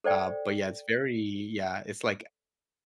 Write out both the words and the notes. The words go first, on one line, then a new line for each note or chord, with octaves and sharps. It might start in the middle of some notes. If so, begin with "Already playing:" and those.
Uh, but, yeah, it's very yeah, it's like
A4 C5 D5 G5